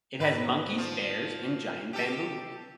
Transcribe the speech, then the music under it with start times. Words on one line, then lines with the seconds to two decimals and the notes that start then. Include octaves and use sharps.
It has monkeys, bears and giant bamboo.
0.20 G#2 B4
0.78 F3
1.93 G4 A4